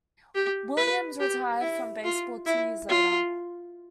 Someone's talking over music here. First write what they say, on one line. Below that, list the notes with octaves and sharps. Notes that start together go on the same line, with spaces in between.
Williams retired from baseball two years later.
G4
B4
G4
E4
F4
E4
F4